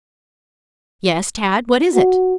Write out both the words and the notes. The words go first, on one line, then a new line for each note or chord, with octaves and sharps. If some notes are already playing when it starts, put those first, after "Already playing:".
"Yes, Tad; what is it?"
F#4